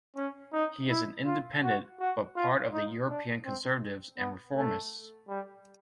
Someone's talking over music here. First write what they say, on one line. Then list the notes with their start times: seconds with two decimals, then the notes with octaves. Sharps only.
He is an Independent, but part of the European Conservatives and Reformists.
0.16 C#4
0.53 D#4
0.90 E4
1.26 F4
1.63 F#4
2.00 F#4
2.36 F4
2.73 D#4
3.09 D4
3.45 C4
4.18 B3
4.55 A3
5.28 G3